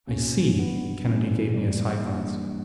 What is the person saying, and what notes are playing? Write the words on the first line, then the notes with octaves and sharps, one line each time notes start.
"I see!" Kennedy gave me a side glance.
C#2 B2 A#3 C#4
G2 E3 B3
C#3 E3 G3 C#4 E4
F#2 E3 G3 A#3
E3 G3 A#3 D4